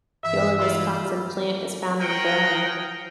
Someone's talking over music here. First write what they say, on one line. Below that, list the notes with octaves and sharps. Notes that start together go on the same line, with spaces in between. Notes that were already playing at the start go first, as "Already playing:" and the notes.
The only Wisconsin plant is found in Barron.
G2 E3 E5
E3 E4 F4
G#4 A#4 D#5 F#5 G5 A#5